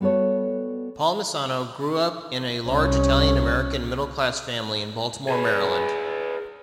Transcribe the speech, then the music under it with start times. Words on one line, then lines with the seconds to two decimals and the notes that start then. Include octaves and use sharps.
Palmisano grew up in a large Italian-American middle class family in Baltimore, Maryland.
0.01 G3 B3 F#4 A4 C#5
2.68 C2 C#4
5.29 G#4 B4